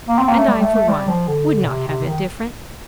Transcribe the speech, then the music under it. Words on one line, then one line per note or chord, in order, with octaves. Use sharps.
And I, for one, would not have it different.
A#3
C4
A#3
A3
G3
A3
A3
G3
F3
D3
A#2
C3
C3
D#3